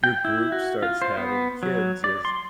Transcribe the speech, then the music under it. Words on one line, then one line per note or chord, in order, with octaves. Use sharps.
your group starts having kids is
G5
E4
F#4
F4
C5
B3
F#3
D5
C6